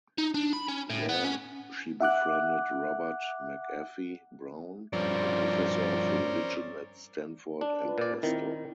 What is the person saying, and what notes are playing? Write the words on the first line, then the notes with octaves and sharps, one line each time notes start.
There she befriended Robert McAfee Brown, a professor of religion at Stanford and pastor.
D#4
D4
B5
C#4
A2
B3
C#4
E5 F#5 D6 F#6
G2 F3 C4 C#4 A#4 D5
D4
F4 B4
A#2 D5
D#3 C4 E4